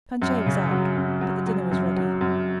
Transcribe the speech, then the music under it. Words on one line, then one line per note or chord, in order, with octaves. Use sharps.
Planchet was out, but the dinner was ready.
F#2
C#3
F#3
F#2
F#3
F#3
F#2
F#3
F#2